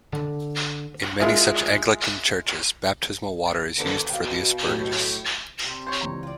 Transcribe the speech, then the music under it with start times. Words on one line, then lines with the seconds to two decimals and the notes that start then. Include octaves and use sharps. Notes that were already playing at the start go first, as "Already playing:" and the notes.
In many such Anglican churches baptismal water is used for the asperges.
0.13 D3
1.20 G#3 E4 F4 G#4 A#4 E5
3.76 G#1 D3 B3 E7
4.10 B2 F5 G5
4.67 A2 F#3 G4
5.63 C3 G3 C4
5.87 C5 C#5
6.01 C#2 E3 A#5
6.23 F4 D5